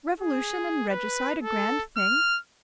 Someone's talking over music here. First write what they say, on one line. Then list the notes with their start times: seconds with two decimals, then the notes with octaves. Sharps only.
Revolution and regicide a grand thing?...
0.20 G#4
0.89 B4
1.42 A4
1.97 F6